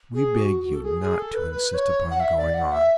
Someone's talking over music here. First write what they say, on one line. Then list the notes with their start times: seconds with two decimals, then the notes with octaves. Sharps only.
We beg you not to insist upon going on.
0.14 G#4
0.37 F#4
0.60 F#4
0.73 A4
0.83 G#4
1.00 G#4
1.17 A4
1.34 B4
1.51 B4
1.69 B4
1.74 C#5
2.11 F#5
2.20 E5
2.37 D5
2.54 F#5
2.72 E5